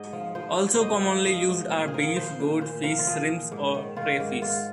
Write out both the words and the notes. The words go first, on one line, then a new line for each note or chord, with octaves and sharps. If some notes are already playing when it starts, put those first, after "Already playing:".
Also commonly used are beef, goat, fish, shrimps, or crayfish.
Already playing: G#2 D#5
F3
F3 C5
G#2
C5
G#2 D#5
F3
F3 D#5
G#2
A#2 C5
G#4
F3 A#4
F3 C5
A#2
A#2 C5
F3 A#4
F4
F3 G#4
A#2
G#2
D#3
D#3 F4
G#2
G#2 F4